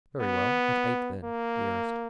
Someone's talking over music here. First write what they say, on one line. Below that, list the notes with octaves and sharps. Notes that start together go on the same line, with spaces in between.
"Very well, at eight then, dearest."
B3
A#3